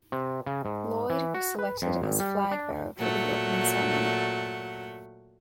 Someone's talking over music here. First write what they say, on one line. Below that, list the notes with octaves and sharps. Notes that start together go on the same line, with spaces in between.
Lloyd was selected as flag bearer for the opening ceremony.
C3
C#3
G#2
E3
F#4
B4
F2
G#1
G3
D4
A#2 F#3 A3 F#5